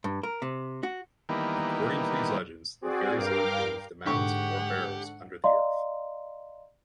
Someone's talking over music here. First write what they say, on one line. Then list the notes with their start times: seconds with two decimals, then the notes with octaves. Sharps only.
According to these legends, the fairies live beneath mounds or barrows under the earth.
0.04 G2
0.23 A#4
0.42 C3
0.83 F#4
1.29 D#3 E3 G3 A#3 B3
2.81 C4 F#4 G#4 D5
3.16 G2 A#4 F5 G5 D6 F6
4.06 G#2 D3 G4 F#5 C#6
5.44 D5 D#5 F5 A#5 C6